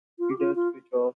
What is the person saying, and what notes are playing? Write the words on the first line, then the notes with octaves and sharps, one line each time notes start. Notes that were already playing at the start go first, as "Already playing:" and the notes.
He does switch off.
F4
G4
F4
F4